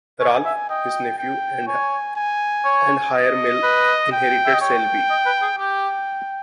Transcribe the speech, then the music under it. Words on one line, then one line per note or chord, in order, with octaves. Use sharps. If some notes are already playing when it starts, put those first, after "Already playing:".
Ralph, his nephew and heir male inherited Saleby.
C#5 G#5
E5
D#5 G5
G5
C#5 G#5
G#5
C#5
D#5
B4
G5
E5
D#5
C#5 G5
D#5
B4
G#4
G4 G5